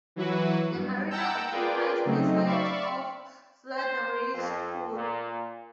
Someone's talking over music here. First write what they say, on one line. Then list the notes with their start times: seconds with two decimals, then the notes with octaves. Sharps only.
The marina occupies the site of Flatheridge pool.
0.16 E3 F#3 E4 F#4 B4
0.74 G2
1.11 F#5 G5 A5 A#5 E6 G6
1.51 F4 G#4 A#4 B4 D5 G5
2.05 C#3 F#3 A3 C4 D#4
2.46 D5 E5 F5 B5 C#6
3.74 C5
4.33 F2
4.94 A#2